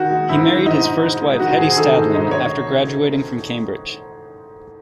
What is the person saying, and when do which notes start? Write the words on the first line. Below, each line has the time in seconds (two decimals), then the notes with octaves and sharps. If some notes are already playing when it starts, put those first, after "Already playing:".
He married his first wife Hedi Stadlen after graduating from Cambridge.
Already playing: D#3 F#4
0.10 G#3
0.29 G#2 E4
0.47 D#3
0.66 G#2 D#4
0.84 G#2
1.03 G#2
1.21 G#3
1.40 D#3 F#4
1.58 G#2 G#4
1.71 G#4
1.76 D#3 A4
1.95 G#2
2.14 G#2 D#5
2.31 G#2 C#5